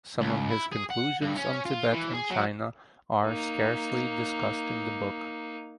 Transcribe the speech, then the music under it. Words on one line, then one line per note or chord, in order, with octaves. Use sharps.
Some of his conclusions on Tibet and China are scarcely discussed in the book.
C#2
E4
G#4
F#5
G2
C#4
F4
E3
G#4
F#3
A#3 D#4